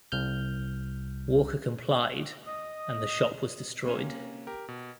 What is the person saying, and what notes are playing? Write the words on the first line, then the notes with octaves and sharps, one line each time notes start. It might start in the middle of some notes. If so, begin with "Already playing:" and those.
Walker complied, and the shop was destroyed.
C2 F6 G6
D#5 D#6
C3 A#3 C#4 D#7
G4 A#4
B2